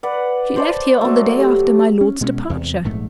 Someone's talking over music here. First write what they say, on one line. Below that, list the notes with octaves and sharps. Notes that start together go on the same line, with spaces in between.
"She left here on the day after my lord's departure."
B4 D5 F#5
C5 D5 A5
F#3 A3
G4
C#4
B2 G#3 C4 C#4
E2 C3
A#1 G#2 A3